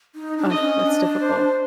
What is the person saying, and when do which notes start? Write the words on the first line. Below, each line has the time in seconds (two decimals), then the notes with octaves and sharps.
Ugh, that's difficult.
0.15 D#4
0.38 D4
0.50 D#5
0.55 D4
0.61 C#4
0.84 D4
1.20 C5